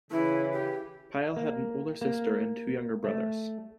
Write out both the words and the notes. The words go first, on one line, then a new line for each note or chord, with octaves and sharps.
Pile had an older sister and two younger brothers.
C#3 E3 E4
G4
A#3
A#3
A3